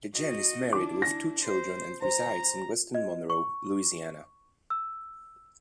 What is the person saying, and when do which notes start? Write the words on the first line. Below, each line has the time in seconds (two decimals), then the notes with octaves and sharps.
DeJean is married with two children and resides in West Monroe, Louisiana.
0.15 F#4 D#5
0.73 D4 E4 D6
1.02 A#6
1.44 C5
2.02 C5 A#5
2.95 D#5
3.30 C#6
4.70 E6